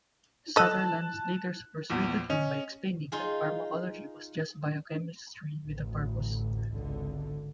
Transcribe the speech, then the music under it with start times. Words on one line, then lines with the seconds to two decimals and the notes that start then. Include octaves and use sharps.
Sutherland later persuaded him by explaining that pharmacology was just biochemistry with a purpose.
0.56 A4 D#5 A5 F#6
1.90 A#1 E2
2.30 C#4 D#5
3.12 D#4 F4 G#4
5.67 A1 D2
6.74 G#1 C#2 D3